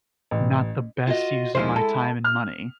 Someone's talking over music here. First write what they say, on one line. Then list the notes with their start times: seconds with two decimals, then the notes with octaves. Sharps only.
not the best use of my time and money,
0.31 A1
1.07 F4 F#4 D#5
1.55 D#2 F3 G#3 E4 C5
1.76 A4
2.24 F6